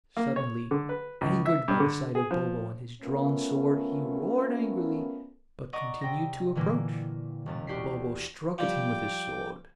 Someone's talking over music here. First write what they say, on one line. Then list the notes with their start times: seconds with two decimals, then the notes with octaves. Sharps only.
Suddenly, angered by the sight of Bobo and his drawn sword, he roared angrily, but continued to approach. Bobo struck at him with his sword.
0.17 A#3
0.36 C#5
0.71 D3
0.89 B4
1.21 C#2
1.45 E5
1.68 G2
1.80 D3
2.15 G#4
2.31 F3
3.02 A3 B3 C#4 F4 A#4
5.73 D5 D#5 F#5 A#5 C#6 D#6
6.01 C3 G5 A#6
6.55 A#2 D3 E3 A#3
7.46 E1 F#2 A6
7.67 D2 F#4 G4 D5 B6 C7
8.58 F3 G3 G5 D6